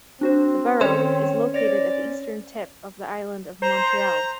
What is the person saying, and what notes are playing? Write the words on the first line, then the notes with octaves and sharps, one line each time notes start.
The borough is located at the eastern tip of the Island of Montreal.
C4 D4 F#4 C5
D#3 C#4 A4 C5 C#5
C#5 D5 A#6
C5 A#5